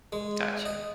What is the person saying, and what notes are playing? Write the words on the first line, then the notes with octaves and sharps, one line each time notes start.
Got you.
G#3
D#5